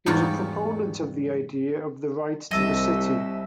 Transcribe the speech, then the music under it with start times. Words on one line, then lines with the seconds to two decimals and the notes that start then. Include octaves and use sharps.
He is a proponent of the idea of the right to the city.
0.06 E2 G#2 G3 F4 F#4 C#5
2.51 C2 D#5 E5 A5